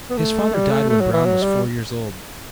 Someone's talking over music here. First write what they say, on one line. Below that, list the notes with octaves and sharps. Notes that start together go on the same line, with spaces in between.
His father died when Brown was four years old.
B3
A3
G3
A3
A3
F#3
E3
F#3
G3